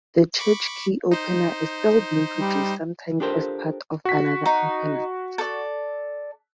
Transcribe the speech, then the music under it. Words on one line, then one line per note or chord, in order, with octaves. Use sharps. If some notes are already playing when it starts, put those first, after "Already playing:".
The church key opener is still being produced, sometimes as part of another opener.
B5 C#6 D6
D#4 C5
G3
D4 F4 G4 A4 A#4 C5
F#4 B6
D#4
A4 D5